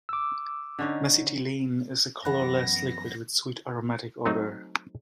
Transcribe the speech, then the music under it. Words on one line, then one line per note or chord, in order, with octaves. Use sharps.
Mesitylene is a colourless liquid with sweet aromatic odor.
D6 E6
D3 C#4 D#4
F#2 E3 B3 F#5 B5 F#6 A#6
F#3 A3 C4 D#4